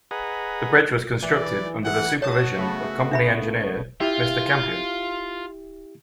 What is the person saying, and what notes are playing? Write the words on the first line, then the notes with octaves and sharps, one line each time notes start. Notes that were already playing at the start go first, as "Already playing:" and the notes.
The bridge was constructed under the supervision of the company engineer, Mr. Campion.
G#4 B4 D#5 F#5 A#5
E3 D5
E3 F#5
F#4 C#5 A5 D#6
C#3 A3 B3
D4 E5 B5
E4 F4 G4 E5